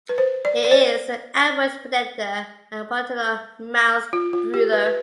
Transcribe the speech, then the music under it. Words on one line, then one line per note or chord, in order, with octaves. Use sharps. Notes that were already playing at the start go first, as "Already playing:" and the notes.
It is an ambush predator and paternal mouthbrooder.
B4
C5
D5
D5
C5
F4
F4
G4
B4
B4